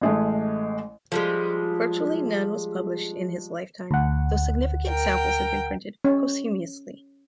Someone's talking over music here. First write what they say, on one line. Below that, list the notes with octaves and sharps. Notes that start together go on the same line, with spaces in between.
Virtually none was published in his lifetime, though significant samples have been printed posthumously.
A1 G#3 A3
F3 G3 G#3
D2 F#5
A#4 G5
C#4